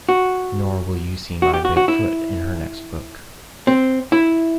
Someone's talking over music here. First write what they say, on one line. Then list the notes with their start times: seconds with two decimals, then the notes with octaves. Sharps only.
Nor will you see my big foot in her next book.
0.09 F#4
1.42 F#4
1.54 G4
1.65 F#4
1.77 F#4
1.88 E4
3.67 C4
4.12 E4